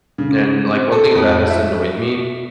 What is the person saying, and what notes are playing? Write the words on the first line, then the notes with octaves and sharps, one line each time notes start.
And, like, one thing that has annoyed me
C#3
C4
A4
F2
E5